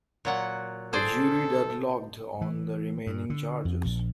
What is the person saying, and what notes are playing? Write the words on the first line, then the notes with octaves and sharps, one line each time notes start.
The jury deadlocked on the remaining charges.
A#2 F#3 F#5
G#4 A4 C5 D5
E3
G2
D3
F2
A#1